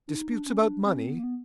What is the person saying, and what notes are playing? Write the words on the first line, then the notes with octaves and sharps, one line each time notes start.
"Disputes about money?"
D4
D#4
D4
C#4
D4
C4
C#4
C4
B3
A#3
B3